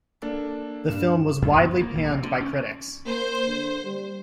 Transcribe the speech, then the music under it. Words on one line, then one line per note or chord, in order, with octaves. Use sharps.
The film was widely panned by critics.
A#3 D4 A4
G2 E7
F#2
B3
A#3
A#1
C3
D3
C#4
A#3 C5
D3
G3